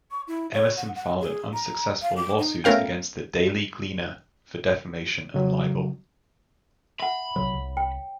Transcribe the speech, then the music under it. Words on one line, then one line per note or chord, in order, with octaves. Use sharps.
Emmerson filed an unsuccessful lawsuit against the "Daily Gleaner" for defamation and libel.
C#6
E4
C#5
F#5
F#5
G#4
A#5
F5
D6
D#4
A3 B3 C#4 A#4 F5 G5
C#3 F#3
E5 F#5 B5
B1 C3 F#3 C#5
C2
G5